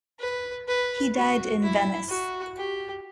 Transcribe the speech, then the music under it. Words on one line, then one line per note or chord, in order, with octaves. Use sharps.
He died in Venice.
B4
B4
F#4
E4
F#4
G4